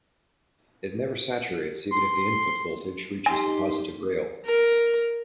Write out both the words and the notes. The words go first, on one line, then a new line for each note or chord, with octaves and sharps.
It never saturates even if the input voltage reaches the positive rail.
C6
D#4 G4 G#5 C6
A#4